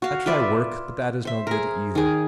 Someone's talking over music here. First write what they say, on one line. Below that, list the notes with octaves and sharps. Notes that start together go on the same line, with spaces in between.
I try work, but that is no good either.
F#4 F5
F4 B4 D5 E5
C5 E5
G#4 A#4
D#3 G#4